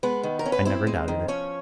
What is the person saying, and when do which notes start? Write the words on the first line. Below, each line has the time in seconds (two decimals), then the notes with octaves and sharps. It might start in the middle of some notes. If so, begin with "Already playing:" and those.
"I never doubted it."
0.03 G#3 B3 B4
0.23 D#3
0.39 A#4
0.46 C#4
0.52 B4
0.65 C4 E4 C5
0.87 G#3
1.08 D#3
1.28 F3 C#4 C#5